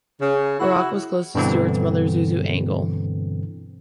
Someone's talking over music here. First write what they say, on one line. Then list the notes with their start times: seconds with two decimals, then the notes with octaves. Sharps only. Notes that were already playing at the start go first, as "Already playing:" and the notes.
Buarque was close to Stuart's mother, Zuzu Angel.
0.21 C#3
0.60 E4 F#4
1.35 G2 B2 D3 E3 C4